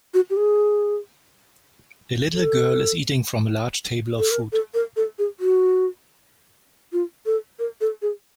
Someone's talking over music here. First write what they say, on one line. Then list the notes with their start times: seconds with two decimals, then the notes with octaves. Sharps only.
A little girl is eating from a large table of food.
0.14 F#4
0.30 G4
0.37 G#4
2.33 A4
4.18 A4
4.31 A#4
4.52 A4
4.74 A#4
4.96 A4
5.19 G#4
5.40 F#4
6.93 F4
7.26 A4
7.59 A#4
7.81 A4
8.02 G#4